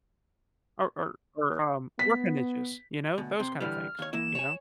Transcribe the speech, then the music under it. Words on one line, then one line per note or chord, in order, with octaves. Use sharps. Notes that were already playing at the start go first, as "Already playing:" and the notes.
Or or or, um, orphanages, you know, those kinda things, you know?
B3 B6
D2 B2
C3 C6
D3 E3 G3 F6
D#2 C#5
E3 A#3 E4 E7
C#5 G#5